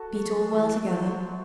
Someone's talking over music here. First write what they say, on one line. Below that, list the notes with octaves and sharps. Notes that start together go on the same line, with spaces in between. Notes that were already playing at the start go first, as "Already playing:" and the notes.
Beat all well together.
Already playing: F#4 A4
F#3
E3 A4
F#3 C5